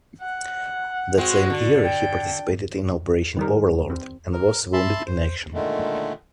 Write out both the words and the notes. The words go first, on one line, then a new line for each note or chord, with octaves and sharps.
That same year he participated in Operation Overlord and was wounded in action.
F#5
G#3 C4 F#4
D3
G5
D#3 G3 A#4
C4
A#4
E5 A5 B5 C6
C5
A#2 D3 D#3 G#3 A3